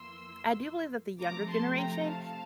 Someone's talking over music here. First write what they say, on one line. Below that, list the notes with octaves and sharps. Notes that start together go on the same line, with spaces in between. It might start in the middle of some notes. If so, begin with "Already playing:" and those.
I do believe that the younger generation
Already playing: F2 E3 A#3 C6 E6
C3 F3 A3 A#5 D6
A5 C6
G5 A#5
F5 A5